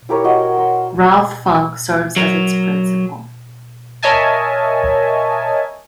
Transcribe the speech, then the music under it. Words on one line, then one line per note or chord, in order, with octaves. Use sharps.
Ralph Funk serves as its principal.
E4 G4 A#4 C#5
F#4 C#5 D#5
C6 E6
F#3 A#4
A#4 C#5 D#5 E5 G#5 A5